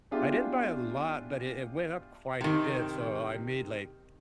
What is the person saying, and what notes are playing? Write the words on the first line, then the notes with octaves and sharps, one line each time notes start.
I didn't buy a lot, but it it went up quite a bit, so I I made, like,
B3 D4 E4 F4 G4 G#4
C3 D#3